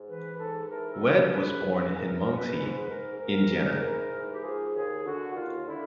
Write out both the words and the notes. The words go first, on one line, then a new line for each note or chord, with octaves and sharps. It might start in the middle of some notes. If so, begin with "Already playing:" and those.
Wead was born in Muncie, Indiana.
Already playing: G#2
E3 B4
G#2 A4
E3 A#4
A4
G#2 B4
A#4
G#2 B4
G#2 B4
E3 A#4
A#4
G#2
B4
G#2 B4
G#2 A#4
G#2 A#4
G#2
E3
G#2
G4
F3 G#4
D#2 G#4
D3 F#4
D#2 F4
D3 E4